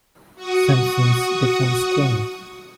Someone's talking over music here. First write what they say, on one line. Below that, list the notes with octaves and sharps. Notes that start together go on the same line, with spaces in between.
Simpson's defense team.
F#4 C#6 D#6